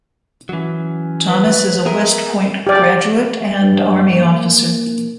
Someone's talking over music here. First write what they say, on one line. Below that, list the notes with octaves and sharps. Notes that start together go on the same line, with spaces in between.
Thomas is a West Point graduate and Army officer.
E3 F#3 C#4
B4
B3 G#4 A#4 E5
G4 D5
G2
A#3